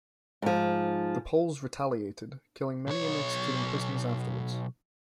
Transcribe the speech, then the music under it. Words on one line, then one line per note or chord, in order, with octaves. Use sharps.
The Poles retaliated, killing many and executing prisoners afterwards.
G#2 F3
B1 C#5